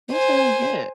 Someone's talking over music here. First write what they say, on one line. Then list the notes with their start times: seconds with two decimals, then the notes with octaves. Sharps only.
it was really good.
0.11 C5 G#5